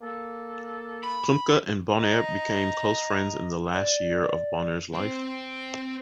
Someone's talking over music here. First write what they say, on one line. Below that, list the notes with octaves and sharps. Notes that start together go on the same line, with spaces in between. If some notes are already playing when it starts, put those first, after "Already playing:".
Klumpke and Bonheur became close friends in the last year of Bonheur's life.
A#3 A4
B5
D#5 A#5
D5
C4 C5